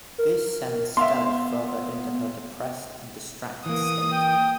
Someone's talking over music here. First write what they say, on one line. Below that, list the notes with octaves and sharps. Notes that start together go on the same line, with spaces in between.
This sends Stella further into her depressed and distracted state.
A#4
B3 E5 F5 C6
E3 A#3 D#6
G5